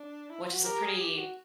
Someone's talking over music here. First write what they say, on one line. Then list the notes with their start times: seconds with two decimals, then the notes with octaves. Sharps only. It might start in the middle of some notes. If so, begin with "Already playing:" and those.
which is a pretty
Already playing: D4
0.30 E4
0.41 F4
0.52 F#4
0.64 G4 A#4
0.83 G#4
1.00 G4
1.17 F#4